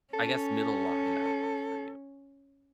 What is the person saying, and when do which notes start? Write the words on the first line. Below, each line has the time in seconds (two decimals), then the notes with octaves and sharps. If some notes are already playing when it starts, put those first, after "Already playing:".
I guess, middle line that works for you.
0.14 C#4 A4